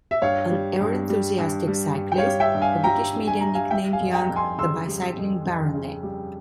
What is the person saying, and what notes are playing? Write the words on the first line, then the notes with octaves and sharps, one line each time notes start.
An ever-enthusiastic cyclist, the British media nicknamed Young the "Bicycling Baronet".
E5
G2 C#5 F5
G3
G2
G3
G2
G3
G2
G5
C#5 F5
G3
E5 G5
G2
F5 G#5
G3 G5 A#5
G2
G#5
G3 A#5
F5 G#5
G3 E5 G5
F5 G#5
F2
G5 A#5
F2
G#5 C6
C#3 C6 E6
G3
F2
F2
C#3
G3